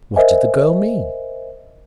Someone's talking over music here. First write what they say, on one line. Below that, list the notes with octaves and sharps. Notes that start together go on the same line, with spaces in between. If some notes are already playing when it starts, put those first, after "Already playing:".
What did the girl mean?
A#4 C5 D#5 E5 G#5